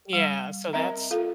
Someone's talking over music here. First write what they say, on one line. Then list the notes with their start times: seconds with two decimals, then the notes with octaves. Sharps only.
Yeah, so, that's,
0.13 G3
0.73 C4 A#4 D#5 E5 A#5
1.11 F4 A4 F5